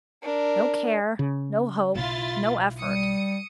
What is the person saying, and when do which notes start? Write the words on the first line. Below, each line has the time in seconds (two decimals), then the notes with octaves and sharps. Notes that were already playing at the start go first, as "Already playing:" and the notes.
No care--no hope--no effort.
0.22 D4 A#4
1.19 C#3
1.95 B1 E4 F4 A6
2.78 G3 D#6 C#7